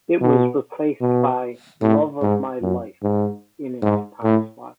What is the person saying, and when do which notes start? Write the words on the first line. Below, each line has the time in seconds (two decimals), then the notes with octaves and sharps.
It was replaced by "Love of My Life" in its timeslot.
0.21 B2
1.01 B2
1.82 A2
2.22 G#2
2.62 F#2
3.03 G#2
3.82 G#2
4.24 A2